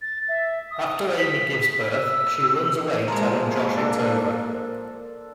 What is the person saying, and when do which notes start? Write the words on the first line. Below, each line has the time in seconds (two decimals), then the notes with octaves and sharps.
After Amy gives birth she runs away telling Josh its over.
0.02 A6
0.28 E5
0.71 D#6
1.18 B6
1.94 E6
3.08 F3 G#3 A#3 A#4 C5 C6
3.76 D4 A4